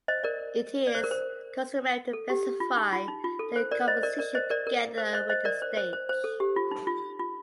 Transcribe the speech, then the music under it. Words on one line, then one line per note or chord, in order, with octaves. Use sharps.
It is customary to specify the composition together with the stage.
C5 D#5
A#4 D5
D5
C5
A#4
C5
A4
G4
F4
D#4
F4
D#4
F4
A4
C5
A#4 D5
C5 D#5
A#4 D5
A#4 D5
C5 D#5
A#4 D5
A#4
C5
C5 D#5
C5 D#5
A#4 D5
C5
C5
C5
C5
A4
G4
F4
D#4
F4
F4